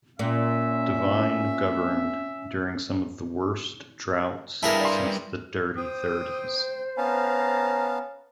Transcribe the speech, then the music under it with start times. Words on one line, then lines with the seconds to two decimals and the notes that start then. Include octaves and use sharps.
Devine governed during some of the worst droughts since the "Dirty Thirties".
0.19 A#2 C#4 E5
4.63 B1 G2 E4 G#4 A#4 A5
4.81 D5 C6
5.77 C5 G5 D#6
6.97 B3 C#4 F5 A5 A#5